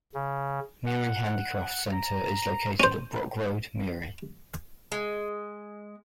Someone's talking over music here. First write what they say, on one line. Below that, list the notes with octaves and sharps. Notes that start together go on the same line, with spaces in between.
Miri Handicraft Centre is located at Brooke Road, Miri.
C#3
F#5
A#5
C#4 C5
G#3